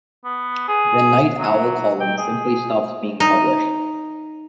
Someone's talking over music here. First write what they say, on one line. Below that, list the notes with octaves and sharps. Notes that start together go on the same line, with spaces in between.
The "Nite Owl" column simply stopped being published.
B3
G#4
F#3
G5
G#4
D#4